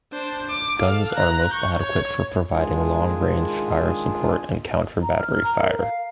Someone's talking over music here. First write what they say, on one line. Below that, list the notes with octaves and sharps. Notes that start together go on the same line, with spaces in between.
Guns are most adequate for providing long range fire support and counter-battery fire.
D4 C5
D6
A4 F5
A#5 F#6
C#6 G6
C#5
D#3 G#3 D4 F4 G#4 G#5
A#5
F6
A#5
A#4
F5